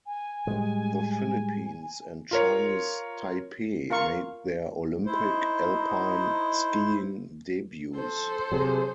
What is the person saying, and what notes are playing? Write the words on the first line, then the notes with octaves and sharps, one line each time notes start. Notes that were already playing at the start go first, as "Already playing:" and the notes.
The Philippines and Chinese Taipei made their Olympic alpine skiing debuts.
G#5
A2 G3 G#3
F4 A#4 C#5
F4 A#4 F5 C#6
D#4 E4 C5
A4 C5
C3 F#3 G#4